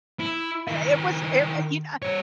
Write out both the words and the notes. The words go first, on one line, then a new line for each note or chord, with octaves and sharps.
Eh it was i you kn
E4
D#3 E4
G3 C#5